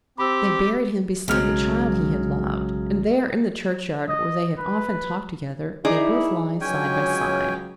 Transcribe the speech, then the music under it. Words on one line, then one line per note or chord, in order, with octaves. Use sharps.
They buried him beside the child he had loved, and there in the churchyard where they had often talked together they both lie side by side.
C4 G4 B5 D6 E6
B1 C#3 F#3 G#3 F6
D#5
B4
D#4 E4 G#4 D5
C#2 F#3 C#4 G5 G#5